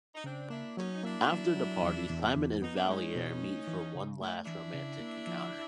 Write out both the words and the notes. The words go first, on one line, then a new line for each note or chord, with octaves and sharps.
After the party, Simon and Vallier meet for one last romantic encounter.
D#4
C#3 C4 D4
A#3 D4 E4
F#3 C#4 D#4
D#4
A#3 D4 E4
F#3
F#3
E2
E2
E2
B3 D#4
D4
G#3 C#4 D#4
B2
A3
E3
C#3
A3 E4
E3 D4 E4
C#3
A#3
F3